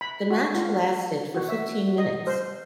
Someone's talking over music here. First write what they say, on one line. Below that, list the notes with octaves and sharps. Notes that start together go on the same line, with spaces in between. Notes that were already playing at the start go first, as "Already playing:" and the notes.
The match lasted for fifteen minutes.
B5
F#4
F4
F#4
E5
D#5
C5